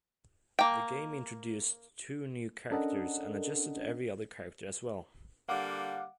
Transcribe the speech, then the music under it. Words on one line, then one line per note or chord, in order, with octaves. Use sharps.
The game introduced two new characters and adjusted every other character as well.
A#3 G5
C#4 D4 A4 A#4 D#5 F#5
D3 G3 A#3 F5 F#5 D6